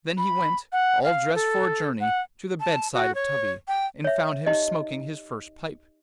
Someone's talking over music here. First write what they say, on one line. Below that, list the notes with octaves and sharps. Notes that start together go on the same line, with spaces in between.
Then he went, all dressed for a journey, to the bedside of Tubby, and found him smoking his first pipe.
B5
F#5
F5
A4
F#5
A5
F#4
C#5
G5
C#5 E5
D#4 G4 D#5